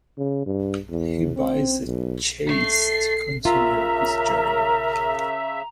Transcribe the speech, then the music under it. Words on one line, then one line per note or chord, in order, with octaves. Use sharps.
He buys a chaise to continue his journey.
C#3
G2
E2
C4
B1
A3 C7
C#3 F4 A#4 E5 A#5